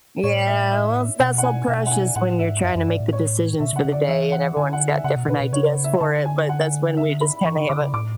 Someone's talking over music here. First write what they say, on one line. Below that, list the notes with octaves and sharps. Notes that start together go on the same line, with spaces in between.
Yeah, well, it's not so precious when you're trying to make the decisions for the day, and everyone's got different ideas for it, but that's when we just kinda have a
A2 C#5
E5
E5
B2 F#5
F#5
G#5
B2 E5
F#5
G#5
A2 F#5
G#2 E5
F#2 E5
F#2
G#2 D5
A2
C#5
B2 E5
C#3
F#5
C#3
D5
D3
E3 E5
F#5
D3 G#5
F#5
E5
C#3 F#5
B2
B2 B4
B2
C#3 C#5
E5
D3 A5
G#5
F#5
E5
B5
E3 C#6
D3
D3 D6
C#3
A2 D6